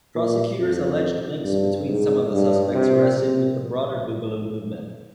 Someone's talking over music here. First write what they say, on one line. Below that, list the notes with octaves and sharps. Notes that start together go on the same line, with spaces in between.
Prosecutors alleged links between some of the suspects arrested with the broader boogaloo movement.
A#2
F2
G2
G#2
G2
C3
C3